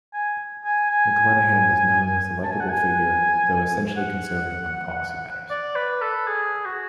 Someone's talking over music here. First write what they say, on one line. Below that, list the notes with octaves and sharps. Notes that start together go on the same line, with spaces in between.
McLenaghen was known as a likeable figure, though essentially conservative on policy matters.
G#5
G#5
G#5
A5
G#5
F#5
G#5
F#5
D5
B4
A4
G#4
F#4